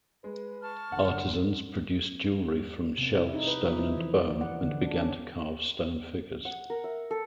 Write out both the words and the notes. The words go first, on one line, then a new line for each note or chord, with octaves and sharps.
Artisans produced jewelry from shell, stone, and bone, and began to carve stone figures.
G#3 B4
A5 C#6 F6
G1 F#2 D3 F#5
C3
E4
D#4
B4
F3
E4
E3
D5
F#5
D3
D4
C#4
F#5
A#4
E5
A4